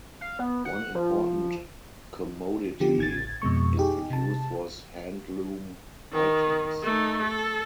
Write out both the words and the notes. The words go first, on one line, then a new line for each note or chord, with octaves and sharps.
One important commodity it produced was handloom items.
F5
B3
F#5
F3
D3 F3 B3 G4
A1 G#6 A6
F2 B2 G#3 C#6
D#4 G4 G#4
C3 A5
D#3
A3 D#4
A4